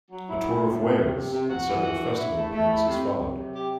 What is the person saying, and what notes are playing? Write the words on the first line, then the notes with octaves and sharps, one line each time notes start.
A tour of Wales and several festival appearances followed.
F#3
E4
A2
A2
C3
C3
C3
C3
F#4
E3
F#4
D4
E4
A3
A3
E4
C3
C3
F#3
C3
G4